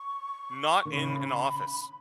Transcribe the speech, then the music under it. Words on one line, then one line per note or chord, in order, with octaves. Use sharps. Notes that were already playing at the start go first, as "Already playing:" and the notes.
not in an office.
Already playing: C#6
D#3
C#3 B5